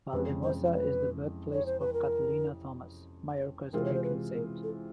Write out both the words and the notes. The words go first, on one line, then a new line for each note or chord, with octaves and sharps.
Valldemossa is the birthplace of Catalina Thomas, Mallorca's patron saint.
F2 C3 E3 G#3 C#4 B4
C5
B4
C#5
C5
B4
A#4
C3 E3 G#3 C4 F4 A#4
C#5
C5
B4
A#4
A4